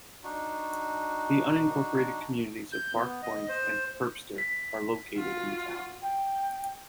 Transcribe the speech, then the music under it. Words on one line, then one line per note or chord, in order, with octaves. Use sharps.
The unincorporated communities of Bark Point and Herbster are located in the town.
D4 D#4 F#4
G6
B3
D#5
C5
B6
F4 F#4
G5